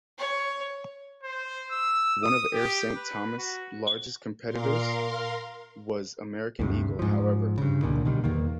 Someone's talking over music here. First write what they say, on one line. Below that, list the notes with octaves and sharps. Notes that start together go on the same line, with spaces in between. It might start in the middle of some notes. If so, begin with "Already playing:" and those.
One of Air Saint Thomas largest competitors was American Eagle, however.
C#5
C5
E6
D#6
G4
B4
F#4
A#2 A#4 F5 C6
D2 G2 C3
G#2 F3
G2 C#3
C#2 A#2 D3 D#3
B2 D3 D#3 G3
E2 D#3 A#3